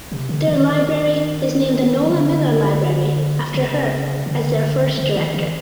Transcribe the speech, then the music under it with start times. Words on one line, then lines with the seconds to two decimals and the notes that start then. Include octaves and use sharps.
Their library is named the Nola Millar Library after her as their first director.
0.12 C3
0.29 D3
0.47 D#3
2.05 D#3
2.10 D3
3.54 C#3
4.26 D3
4.98 D3
5.16 D#3
5.34 E3